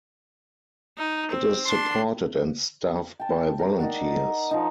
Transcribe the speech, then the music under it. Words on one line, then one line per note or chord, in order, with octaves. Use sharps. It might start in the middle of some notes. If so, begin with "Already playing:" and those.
It is supported and staffed by volunteers.
D#4
C4
D4 C6
G5 A5
A#4
D#4 D5 F#5
F3 D#4